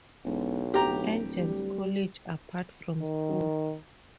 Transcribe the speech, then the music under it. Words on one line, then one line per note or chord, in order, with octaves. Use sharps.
Agnel's college, apart from schools.
E1 B1
D1 G4 A#5
G3
D#3